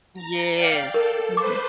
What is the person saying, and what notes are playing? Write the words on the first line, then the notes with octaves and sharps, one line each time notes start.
Yes. Mhm.
A#5
D5 F5 G5
A4 A#4
B4 C5 D6